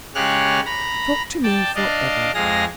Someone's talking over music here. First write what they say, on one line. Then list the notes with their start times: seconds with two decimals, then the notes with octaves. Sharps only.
Talk to me for ever.
0.15 C#3 G#3 G4 C#5 F6 F#6
0.66 A#5 B5
1.43 D5 G5 A5
1.75 D4 D5 D#5 F5
2.34 F2 G#3 G#4 F5 A#6